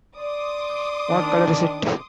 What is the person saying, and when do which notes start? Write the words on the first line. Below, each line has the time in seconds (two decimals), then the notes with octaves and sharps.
What color is it?
0.17 D5 C6 D6 D#6
1.09 D#3 D4